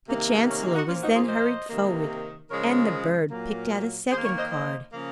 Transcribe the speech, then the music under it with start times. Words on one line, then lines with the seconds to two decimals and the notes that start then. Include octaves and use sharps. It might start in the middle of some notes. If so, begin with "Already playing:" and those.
The Chancellor was then hurried forward, and the bird picked out a second card.
0.08 C3 D#3 A#3
0.49 C#4
0.62 C#4 F4
0.75 D#4 F#4
0.88 A#2 F3 A#3 C#4 F4
1.02 D#4 F#4
1.16 F4 G#4
1.29 C5 D#5
1.69 C3 D#3 A#3
2.50 C#3 F3 G#3 A#4 C#5
3.31 A#2 F#3 A#3
4.11 D#3 G#4 C5
4.16 A#3
4.25 A#4 C#5
4.38 C5 D#5
4.52 C5 D#5
4.92 C#3 F3 A#3